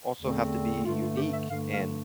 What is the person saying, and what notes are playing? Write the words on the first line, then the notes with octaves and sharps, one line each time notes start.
also have to be unique, and
E2 D3 A3 C4
G2 D3 A3 F4
F4
G4
E5
G2 D3 A3 F5
F5